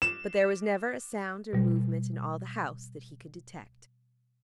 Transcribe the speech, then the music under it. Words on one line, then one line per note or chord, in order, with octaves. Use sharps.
But there was never a sound or movement in all the house that he could detect.
E7
B2 G3